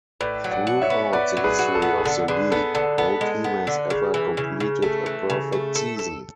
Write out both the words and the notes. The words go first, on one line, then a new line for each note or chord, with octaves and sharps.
Throughout the history of the league, no team has ever completed a perfect season.
A2 B4 D5
F#3
D5 F#5
F#4
C#5 E5
B3
B3 B4 D5
F#3
G#4 B4
F#4
A4
B3
G#4
D3 A4
D3 G#4 B4
B3 A4
D3 A4
B3 A4
G#3
B3
D3
C#3
E3
C#3
C#3
A3 A4
E3
C#3
A3
A4
A4